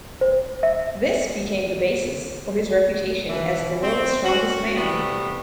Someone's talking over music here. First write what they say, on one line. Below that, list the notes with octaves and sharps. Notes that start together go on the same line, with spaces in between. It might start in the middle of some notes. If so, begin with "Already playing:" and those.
This became the basis for his reputation as the "World's Strongest Man".
C5
E5
B2 D#3 E3
C4
C#4 F#4
C3 E3 G3 A3 B3